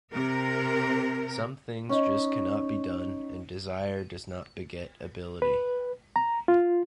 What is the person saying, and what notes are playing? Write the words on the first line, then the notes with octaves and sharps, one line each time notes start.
Some things just cannot be done, and desire does not beget ability.
C3 A#4
C#4 D#4
B4
A#5
F4